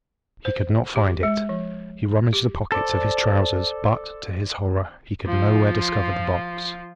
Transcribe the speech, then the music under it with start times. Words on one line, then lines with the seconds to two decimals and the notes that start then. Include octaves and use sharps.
He could not find it; he rummaged the pockets of his trousers, but, to his horror, he could nowhere discover the box.
0.45 C5
0.96 G4
1.23 G#3
1.49 F3
2.33 G4
2.72 A4 C5 D5
5.26 F3 F4